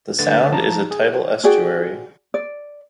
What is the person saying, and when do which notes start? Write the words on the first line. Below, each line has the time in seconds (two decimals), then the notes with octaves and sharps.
The sound is a tidal estuary.
0.19 D3 A3 B4 A6
0.51 F3 A5 A#5
0.91 G#4
1.44 F#4 G#4 D5 G5
2.34 D5